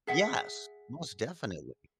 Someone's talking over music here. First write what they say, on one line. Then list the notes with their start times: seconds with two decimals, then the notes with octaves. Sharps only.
Yes, most definitely.
0.07 G#4 E5 F#5